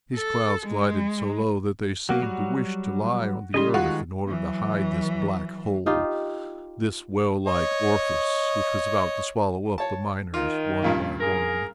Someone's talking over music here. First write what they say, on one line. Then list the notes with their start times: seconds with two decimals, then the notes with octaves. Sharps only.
These clouds glided so low that they seemed to wish to lie on the earth in order to hide this black hole, this well-like orifice which was about to swallow up the miners one by one.
0.16 A4
0.67 G#3
2.09 F#3 A#3 F#4
2.23 F#3 G3
3.54 C#3 G3 D#5 G#5 C6
3.74 D#3 G3 G#3 F4 F#4 C#6
4.28 E3 F#3
5.86 D#4 F4 G4
7.47 C#5 D#5
9.78 C#5 A5
10.34 D#3 F4
10.82 G2 A#2 C#3
11.20 G#4 A#4